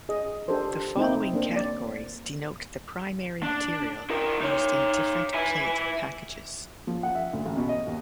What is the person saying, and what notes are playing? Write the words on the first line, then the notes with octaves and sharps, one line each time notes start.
The following categories denote the primary material used in different plate packages.
G#4 D#5
D4 G4 A4 A#4 C5
C4 D#4 E4 G5
A#3 D4 A#4 C5
D5
D4
E4 A#4
D#4 C#5
E4 G#5
F3
F#5
E5
D2
A1
B2
D#5
D#2